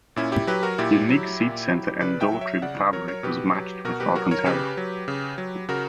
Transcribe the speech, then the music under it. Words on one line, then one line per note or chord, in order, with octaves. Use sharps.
Unique seat center and door trim fabric was matched with Alcantara.
A#2 C#4 E4
E4 G4
F#3 G4 B4
F#4 A#4
A#2 E4 G4
F#3
A#2
F#3
C#3 B4 D5
E5 G5
F#3
C#5 E5
C#3 D5 F#5
F#3 A#4 C#5
A#4 C#5
B2 G4 B4
F#3
B2 F#4 A#4
G4 B4
F#3 F#4 A#4
A#4 C#5
C#3 G4 B4
F#3
C#3
F#3
C#3 F#4 A#4